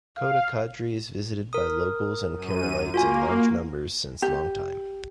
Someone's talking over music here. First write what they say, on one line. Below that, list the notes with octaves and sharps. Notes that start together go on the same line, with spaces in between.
Kodachadri is visited by locals and Keralites in large numbers since long time.
F5
A#4 D#6
F#2 D#7
A#3 F4 F#4 G#5
G4